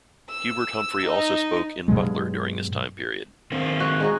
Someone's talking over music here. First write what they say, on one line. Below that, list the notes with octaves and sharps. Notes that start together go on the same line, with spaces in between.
Hubert Humphrey also spoke in Butler during this time period.
E6
D#4
G2 B2 F#3 G#3
D#3 A#3 C4
F#4
G#3 D#4 F#4